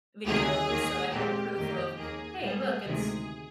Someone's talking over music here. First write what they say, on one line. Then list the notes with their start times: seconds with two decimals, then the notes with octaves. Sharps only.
videos. So, I had proof of, "Hey, look, it's
0.26 D2 C3 D#3 A#3 G#4
0.69 D#2 D#3 A#3
1.12 A#2 G#3 C4 G4
1.55 F2 D#3 A#3 G4
1.98 D#2 D#3 A#3 G#4
2.41 A#2 G3 A#3 G#4
2.84 D2 C3 D#3 G#3